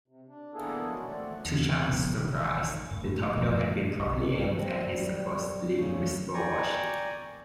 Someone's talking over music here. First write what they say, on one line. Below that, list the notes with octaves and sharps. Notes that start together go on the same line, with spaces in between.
To Chang's surprise, the torpedo had been properly aimed at his supposedly invisible warship.
C3
D4
A#3 B3 D4 E4 G#4 A4
F#3 G#3 C#4 E4
A3 C4 D5 F#5
E2
A#2 C#3 F3 B3
A1 C3 D#3 G#3
F#2 A2
F#2 A#2 F3 A3
B1
G3 C4
D2 G#2 C#3
D5 G5 G#5 A#5 C#6